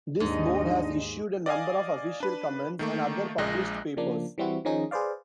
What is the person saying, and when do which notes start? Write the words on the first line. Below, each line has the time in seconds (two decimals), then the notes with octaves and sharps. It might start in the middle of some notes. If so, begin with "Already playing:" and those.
This board has issued a number of official comments and other published papers.
0.20 D#2 G#2 D4 D#4 D#5
1.46 D5 D#5 F5 G#5
2.20 D4 B4
2.79 D#3 A3 A#3
3.38 A#1 A#2 G#3 D#5 F#6 A#6
3.97 C#3 F3 A#3 D4
4.38 E3 G3 C4 E4 F#4
4.65 D#3 F3 C#4 D#4 G#4 D#5
4.91 G#4 B4 C5 D5 F5